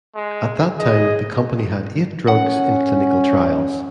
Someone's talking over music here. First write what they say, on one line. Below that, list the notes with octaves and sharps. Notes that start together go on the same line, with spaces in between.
At that time the company had eight drugs in clinical trials.
G#3
G#4 D#5
C#4 F#5